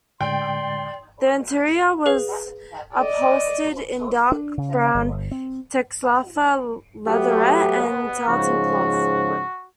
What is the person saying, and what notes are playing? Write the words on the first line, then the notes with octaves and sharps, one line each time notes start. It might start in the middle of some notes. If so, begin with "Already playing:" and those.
The interior was upholstered in dark brown Texalfa leatherette and tartan cloth.
A2 D3 G#3 D5 G5 C6
G#4 B4 F5
D5 D#5
D4
C#3
G1
C4
F#3 A3 B3 G4
G#2 C#3 F3 F#4